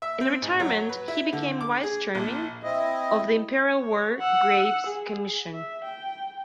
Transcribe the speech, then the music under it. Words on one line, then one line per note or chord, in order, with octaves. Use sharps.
In retirement he became Vice Chairman of the Imperial War Graves Commission.
E5
C4
G#2
F#3
B4
E4
D3
D6
G#4
A#1
C4 E4 D#5
C#5
F#5 E6
G#4
E5
G5